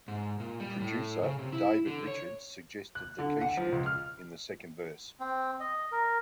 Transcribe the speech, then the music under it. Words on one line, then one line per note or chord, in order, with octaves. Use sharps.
Producer David Richards suggested the key-shift in the second verse.
G#2
A#2
G3
A2
C#3
C3
E4
D3
C#5
F#6
D3
F#5
F3
C#2
F6
C4
D#5
A#4